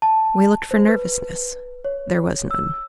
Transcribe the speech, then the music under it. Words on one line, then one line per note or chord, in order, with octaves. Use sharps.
We looked for nervousness--there was none.
A5
C5
B4
C#5
E6